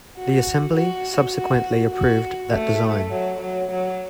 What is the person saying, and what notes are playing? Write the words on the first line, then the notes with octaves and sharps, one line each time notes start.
The assembly subsequently approved that design.
F#4
F#4
F#4
F#4
A3
F#3
F#3
F#3